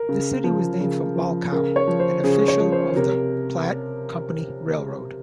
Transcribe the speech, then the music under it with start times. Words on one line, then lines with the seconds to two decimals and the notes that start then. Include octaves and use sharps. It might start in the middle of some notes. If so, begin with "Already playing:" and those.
The city was named for Bolckow, an official of the Platte Company Railroad.
Already playing: A#4
0.09 C#3
0.44 F3
0.80 C#3
1.16 F3
1.52 C#3 A#4
1.76 C#5
1.87 F3
2.00 C5
2.24 C#3 G#4
2.48 C#5
2.60 F3
2.72 C5
2.96 C3 A#4